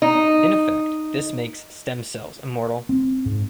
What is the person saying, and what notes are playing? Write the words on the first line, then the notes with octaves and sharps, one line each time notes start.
In effect this makes stem cells immortal.
D#4
C4
G#2